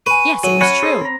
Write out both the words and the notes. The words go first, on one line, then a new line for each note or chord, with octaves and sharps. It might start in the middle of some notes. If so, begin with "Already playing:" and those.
Yes; it was true.
B4 G#5 C#6 D#7
F#3 D#7
C#4 F#4 F#5 G#5 B5
G#4 A4 C5
C4 A#5